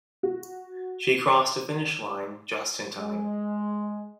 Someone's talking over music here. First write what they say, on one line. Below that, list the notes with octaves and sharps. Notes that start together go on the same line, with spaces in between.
She crossed the finish line just in time.
F#4
G#3